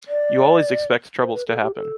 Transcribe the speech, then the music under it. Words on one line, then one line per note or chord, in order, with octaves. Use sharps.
You always expect troubles to happen.
D5
C5
B4
A4
G4
A4